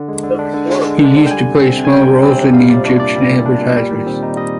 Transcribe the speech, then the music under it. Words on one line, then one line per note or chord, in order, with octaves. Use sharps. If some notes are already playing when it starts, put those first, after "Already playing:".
He used to play small roles in the Egyptian advertisements.
Already playing: D3
G#3
D3
D4
D3
G#3
D3
D4
D3
G5
G3 G#5
C3
C4
C3
G#5
G3 G5
C3
C4
C3
G3 F5
A#2 D5
D4
A#2 D5
G3
A#2
D4
A#2
G3
D#3
C4
D#4
G3 D#5